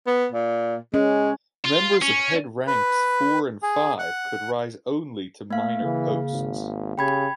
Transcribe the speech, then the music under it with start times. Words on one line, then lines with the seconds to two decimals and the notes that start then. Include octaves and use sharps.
Members of head ranks four and five could rise only to minor posts.
0.07 B3
0.32 A#2
0.94 G#3 C#4
1.65 F4
2.02 C#4
2.67 B4
3.63 G#4
3.99 F#5
5.51 A3 A#3 F5
5.83 C#3 E3
6.31 G#1
6.98 C#3 G4 G5 B5 G#6